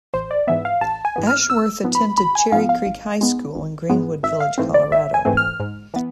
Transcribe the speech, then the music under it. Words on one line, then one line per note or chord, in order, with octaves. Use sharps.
Ashworth attended Cherry Creek High School in Greenwood Village, Colorado.
A1 C5
D5
G#2 E3 B3 E5
F5
A1 A5
G#5
G#2 E3 B3
F6
G#1 E6
G#2 F3 B3
B5
G#1 B5
G#5
G#2 F3 B3 F5
F5
G#1
G#2 G#3 B3
G#1
G#2 G#3 B3
G#1 E5
F5
G#2 E3 A3 C4
D5
G#1 E5
G#5
G#2 E3 A3 C4
F6
G#2
E3 B3